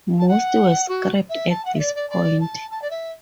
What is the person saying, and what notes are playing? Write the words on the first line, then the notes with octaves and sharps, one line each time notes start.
Most were scrapped at this point.
A5
F#5
F#4
E5
A5
F#5
E5
D5
D5
D5
A5
A5
D5
E5